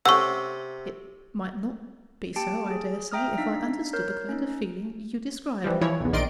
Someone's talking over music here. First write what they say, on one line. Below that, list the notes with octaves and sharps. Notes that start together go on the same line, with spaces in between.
It might not be so, I dare say, if I understood the kind of feeling you describe.
C3 A3 C#4 F#5 C#6 E6
A#3 G4 G5 A5 D7
G#4
E5 G5 A#5 D#6 F6
D4 D#4 F5 B6
A#4 C#5 G6
C#4 D#4
E3 F3 G3
E3 F3 E4 C#5
B1 E2
A#1 D#3 D5 D#5 C6 D7